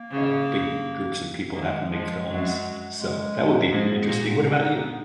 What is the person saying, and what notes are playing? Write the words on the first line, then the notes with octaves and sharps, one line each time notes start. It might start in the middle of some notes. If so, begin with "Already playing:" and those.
uh, big groups of people having to make films. So that would be interesting. What about you?
Already playing: A#3
C#3
D#3 A#3
G#3
F2 F3 G#3
F#2 F#3
G#3
G#2 G#3 A#3
B3
A#2 A#3
C#4
D#4
B3